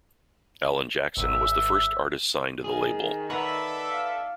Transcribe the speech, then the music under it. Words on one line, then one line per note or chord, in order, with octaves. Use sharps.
Alan Jackson was the first artist signed to the label.
G#1 E5
D#3 G#4
A4 B4 D5 E5 F#5 A#5 C#6
F5